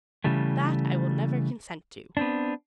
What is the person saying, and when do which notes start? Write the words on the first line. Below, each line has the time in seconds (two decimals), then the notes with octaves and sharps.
THAT I will never consent to.
0.24 C#3 E3 G3 A3
2.17 B3 C4 D4